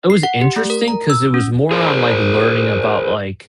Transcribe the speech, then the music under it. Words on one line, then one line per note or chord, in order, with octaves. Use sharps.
it was interesting 'cause it was more on, like, learning about, like,
C7
F#5
G4
A3
A#4
A#5
E6
C#4
G#4 A#4 C5